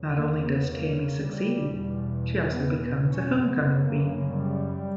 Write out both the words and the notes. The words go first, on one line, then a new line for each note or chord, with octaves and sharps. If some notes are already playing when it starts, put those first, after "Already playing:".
Not only does Tami succeed, she also becomes the homecoming queen.
Already playing: E2 C#3
A#3
B3
A#3
G3
E2 B2
B3
B3
C#4
F#2 C#3 B3
A#3
G3